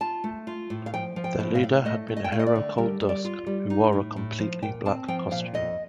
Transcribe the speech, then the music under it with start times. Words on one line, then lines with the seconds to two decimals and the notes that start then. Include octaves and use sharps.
Their leader had been a hero called Dusk, who wore a completely black costume.
0.01 F4 A5
0.24 A3
0.47 F4
0.70 A2
0.86 F5
0.94 F3 G5
1.16 F3
1.24 G5
1.40 A2
1.55 F5
1.63 A2
1.85 A3 D#5
2.08 A3
2.17 D#5
2.24 G5
2.32 A3 F5
2.39 D#5
2.47 D5
2.55 D3
2.78 G3 A#4
3.01 G3
3.09 D5
3.25 F4
3.47 G3
3.70 D#4
3.93 A2
4.16 A2
4.39 F3
4.62 A#2 G5
4.85 C4 A5
5.08 F3 G5
5.31 A#2 F5
5.54 F2 D#5